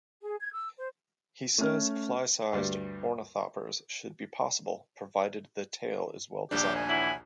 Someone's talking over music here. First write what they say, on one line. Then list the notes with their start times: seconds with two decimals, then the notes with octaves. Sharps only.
He says fly-size ornithopters should be possible, provided the tail is well designed.
0.21 G#4
0.40 G#6
0.54 E6
0.78 C5
1.58 A3 C#4 F6
2.53 D2 G2 G3
6.51 A#1 D#2 D4 G4
6.75 G#5
6.89 E3 F#3 E4